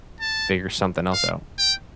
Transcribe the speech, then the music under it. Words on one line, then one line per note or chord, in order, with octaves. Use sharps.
figure something else out.
A5
F5
G5